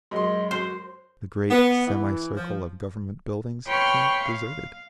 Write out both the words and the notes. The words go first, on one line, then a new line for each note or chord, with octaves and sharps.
The great semi-circle of Government buildings seemed deserted.
F#2 G#3 D#5 C6
F#4 C5
B3
E3
F3
B4 C#5 G5 C6 C#6 F6
F5